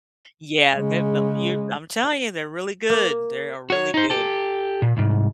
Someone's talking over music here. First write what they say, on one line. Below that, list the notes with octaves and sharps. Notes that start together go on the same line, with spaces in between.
Yeah, the that you I'm telling you, they're really good. They are really good.
C#3 G#3
A#3
F#4 C#5
D#4 C5
G4 A4
A#2
C2 G#2